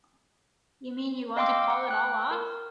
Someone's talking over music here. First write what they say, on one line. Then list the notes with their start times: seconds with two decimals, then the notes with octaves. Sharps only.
You mean you want to call it all off?
1.37 D#5 F5 G5 C6 D6 E6
1.70 F#5
1.88 G5 F#6
2.31 A#4